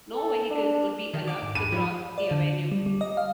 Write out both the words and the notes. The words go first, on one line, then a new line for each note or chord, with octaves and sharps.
No vehicles would be allowed to cross the avenue.
A4
D4
D#3
G#4 D6
G#2
G3 D4 D#7
F3 B4 C#5 B5
D5
D3
G3
G3
D#5
F5